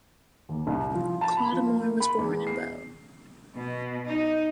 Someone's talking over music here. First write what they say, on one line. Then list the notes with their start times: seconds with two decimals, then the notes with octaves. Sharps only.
Clodumar was born in Boe.
0.49 D#2
0.67 C2
0.94 F3
1.21 A5
1.37 B5
1.52 F3
1.67 A#3
2.00 B5
2.18 E2
2.47 C7
3.55 B2
4.06 D#4